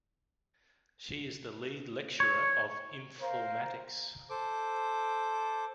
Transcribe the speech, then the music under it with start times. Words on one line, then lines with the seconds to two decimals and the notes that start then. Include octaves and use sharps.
She is the lead lecturer of informatics.
2.20 C#5
3.22 A#4 C5 F5
4.30 A4 C5 D6